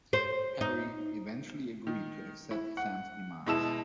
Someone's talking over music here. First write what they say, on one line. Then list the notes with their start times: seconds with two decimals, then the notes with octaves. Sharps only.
Harry eventually agreed to accept Sam's demands.
0.13 C5
0.61 D#4
1.87 D#3
2.51 E4
2.77 F#5
3.46 B2 G#3 E4 A5 E6 E7